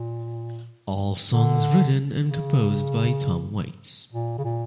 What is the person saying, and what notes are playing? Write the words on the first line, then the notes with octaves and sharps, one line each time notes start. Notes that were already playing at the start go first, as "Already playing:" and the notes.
All songs written and composed by Tom Waits.
Already playing: A#2
D3
C#3
A#2
C#3
A#2